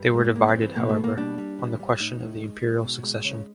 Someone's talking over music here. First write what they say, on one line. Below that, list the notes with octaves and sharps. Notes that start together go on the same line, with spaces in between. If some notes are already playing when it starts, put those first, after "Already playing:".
They were divided, however, on the question of the Imperial succession.
Already playing: G2
G#3 A3
A#3
G2 A#3
C4
E3
C4
B2 A#3
A3
B2
A#3
G3 D4
G3
E3
G3
A2 D#4
A2
G#3
G#3
B2
G#3
C#3